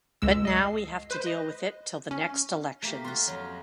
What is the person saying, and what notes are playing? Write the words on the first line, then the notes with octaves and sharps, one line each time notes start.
But now we have to deal with it till the next elections.
C#2 G#3 E6
D#5 C7
B4 C5
D#5
C#4
A3 A#3 G4
F4 F#4
F2 F#3